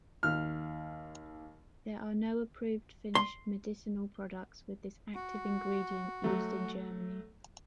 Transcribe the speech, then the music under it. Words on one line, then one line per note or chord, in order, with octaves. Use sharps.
There are no approved finished medicinal products with this active ingredient used in Germany.
D#2 F6
C6
F#4
F#3 A3